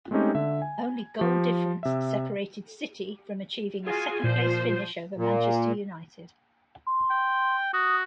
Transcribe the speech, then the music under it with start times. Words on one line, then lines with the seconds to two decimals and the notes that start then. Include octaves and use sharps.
Only goal difference separated City from achieving a second-place finish over Manchester United.
0.11 G#3 A3 C4 C#4 D#4 G4
0.35 D3 E5
0.62 G#5
1.19 F3 G4
1.83 C3 E5
3.87 F4 F#4 G#4 G#5
4.24 A#2 F3 C5
5.17 A#2
6.87 C6
7.10 G5
7.73 F#4 D#6